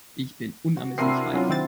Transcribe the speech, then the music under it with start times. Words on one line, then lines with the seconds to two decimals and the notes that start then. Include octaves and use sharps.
Ich bin unermesslich reich.
0.77 F#4
0.98 C3 C4 D4 E4 A#4 C7
1.33 F#3 C#4 F4
1.49 D#3 C4 A6